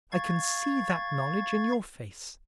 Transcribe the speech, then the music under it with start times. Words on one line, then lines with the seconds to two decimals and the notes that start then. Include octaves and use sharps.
I can see that knowledge in your face.
0.12 F5 C#6 G#6 A6